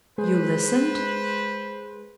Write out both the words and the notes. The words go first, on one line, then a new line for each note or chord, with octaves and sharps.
"You listened?"
G#3 G#4 B4 C5